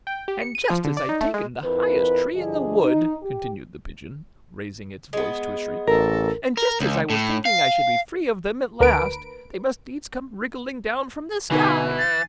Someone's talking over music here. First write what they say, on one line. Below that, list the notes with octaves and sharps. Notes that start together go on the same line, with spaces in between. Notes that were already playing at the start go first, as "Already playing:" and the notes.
'And just as I'd taken the highest tree in the wood,' continued the Pigeon, raising its voice to a shriek, 'and just as I was thinking I should be free of them at last, they must needs come wriggling down from the sky!
G5
G4
C#7
D#7
F3
D3
D5
D#4
A3
G#3
F2 E4 A#4 B4
G2 D3 F3 D4 G#4 D#5
D#4
G4
G#3 B3
A1 A4 A#4
A#4
C#2
A2
F5
D2 A#4 B4 D7
B2 D3 E3 D#4 G#5
A6 C7